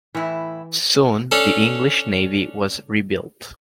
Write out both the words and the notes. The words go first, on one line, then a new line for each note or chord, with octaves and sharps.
Soon the English navy was rebuilt.
A2 E3 E4
C#4 D4 A4